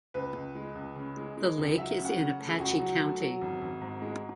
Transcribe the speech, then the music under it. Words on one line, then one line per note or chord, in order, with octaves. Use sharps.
The lake is in Apache County.
C#2 B4
C#2
G#3
C#2
C#3
G#3
G#3
C#2
F#3 E5
C#3
F#5
C#3
A3
G#4
C#2 F#4
F#3
A3
F#3
G#1
G#1
G#2
G#3